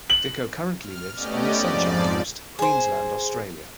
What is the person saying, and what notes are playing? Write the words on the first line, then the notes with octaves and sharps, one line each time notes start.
Dicko currently lives on the Sunshine Coast, Queensland, Australia.
F#7
F6
A3 B3 C#4 G4 D5 D#5
F2 G#2 F3 D5
G#4 C5